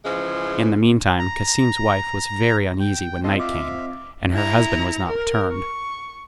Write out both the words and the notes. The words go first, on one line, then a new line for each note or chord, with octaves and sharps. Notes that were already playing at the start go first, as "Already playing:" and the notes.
In the meantime, Cassim's wife was very uneasy when night came, and her husband was not returned.
C#3 E3 F3 G#3
A#5
G5
F3 C4 F4 A4 D#5
E5 F5 D6
E4 A#5
A#4
C#6